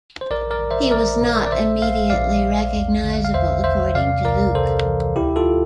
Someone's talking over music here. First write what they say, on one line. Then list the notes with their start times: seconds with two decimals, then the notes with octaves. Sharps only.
He was not immediately recognizable, according to Luke.
0.21 C5
0.31 A#1 A#4 D5
0.51 A#4 D5
0.61 A#1
0.71 C5 E5
0.91 A#1 A#4 D5
1.22 A#2
1.46 D5
1.52 A#1 C5 E5
1.82 A#1 F5
2.10 A#1 D5 F5
2.44 A#1
2.74 E2
3.04 D3
3.24 F5
3.33 E2 C5 E5
3.64 E2 C5 E5
3.95 C3 D5 F5
4.25 C2 A#4 D5
4.55 C3 A4 C5
4.86 E3
5.16 D2 E4 G4
5.36 F4 A4